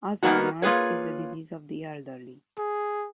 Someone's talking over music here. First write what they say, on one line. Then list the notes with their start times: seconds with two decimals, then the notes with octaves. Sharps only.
Alzheimer's is a disease of the elderly.
0.23 G3 A#3 B3 D#4 F#4
0.62 A#3 F4 G#4 B4 C#5
2.58 G#4